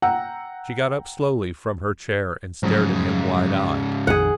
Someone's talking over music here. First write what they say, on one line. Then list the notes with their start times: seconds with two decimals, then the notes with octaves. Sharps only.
She got up slowly from her chair and stared at him wide-eyed.
0.02 F#5 G5 A#5 E6
2.63 G#2 C#3 F3 F#3 A3
4.07 A#1 F2 D#3 G#4 F#5